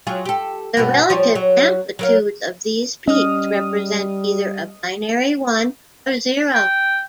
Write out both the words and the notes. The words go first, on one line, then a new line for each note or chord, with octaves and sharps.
The relative amplitudes of these peaks represent either a binary one or zero.
F#3 F4 G#4
G4 A4
G2 B2 B3
F3 G3 C#5
F#3
F#3 A#4 F5
G3 C#4 D#5 D#6 F6
G5